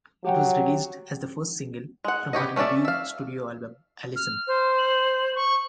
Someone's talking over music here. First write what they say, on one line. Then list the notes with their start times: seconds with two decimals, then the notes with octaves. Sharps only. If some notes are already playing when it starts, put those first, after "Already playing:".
It was released as the first single from her debut studio album "Allison".
0.25 F#3 G4 F#5 G5
2.04 G#3 F#5
2.33 B3 G4 C#5 D#5
2.56 A3 C#4 B4 D5 E5
2.85 E5 F5
4.16 F6
4.48 C5
4.78 F#7
5.35 C#6